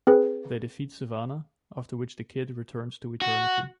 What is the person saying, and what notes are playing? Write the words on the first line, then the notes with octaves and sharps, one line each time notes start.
They defeat Sivana, after which the Kid returns to Eternity.
C4 G#4 B4
F#4